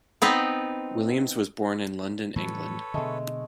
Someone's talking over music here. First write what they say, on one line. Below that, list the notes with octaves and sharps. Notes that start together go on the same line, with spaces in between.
Williams was born in London, England.
B3 C4 D#4 B4
A2 E3 G3 A4 B4 C#5
B2 D3 G#3 A3